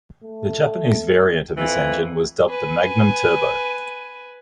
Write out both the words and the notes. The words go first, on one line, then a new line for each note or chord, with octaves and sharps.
The Japanese variant of this engine was dubbed the "Magnum Turbo".
A3
F2 E3
B4 G#5